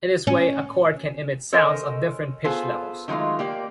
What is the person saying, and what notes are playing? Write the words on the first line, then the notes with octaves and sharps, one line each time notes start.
In this way a chord can emit sounds of different pitch levels.
C#4
A4 A#4 C5 C#5 D#5 G#5
B3 F4 G#4 A4 C5
D#3 F#3 G#3 A3 F4
A#3 G4 D5